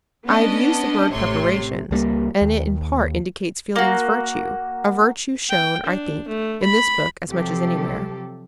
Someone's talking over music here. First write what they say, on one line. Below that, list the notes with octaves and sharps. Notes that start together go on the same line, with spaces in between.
I have used the word "preparations," and it in part indicates Fielding's virtue, a virtue shown, I think, in this book as much as anywhere.
B3 C#4 D4 D#5
A1 C3 A3 C#5 C6
C#2 G3 A3 A#3
D#2
A#3 F#4
G5
D4
A3
B5
C3 F3 F#3 G4 A4